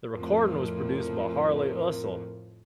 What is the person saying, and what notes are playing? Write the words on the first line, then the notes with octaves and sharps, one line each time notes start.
The recording was produced by Harley Usill.
F2 A2 F3 A#4